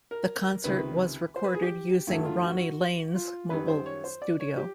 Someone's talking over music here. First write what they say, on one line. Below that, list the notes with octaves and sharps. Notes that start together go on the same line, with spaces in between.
The concert was recorded using Ronnie Lane's Mobile Studio.
A#4
C#2 C3 D#3 B4
C5
B4
G#4
G4
G2 D#3 F#3 A3 E4
F4
F#4
F4
F#2 D#3 G3 B4
C5
C#5
C5
D5
C#5
G4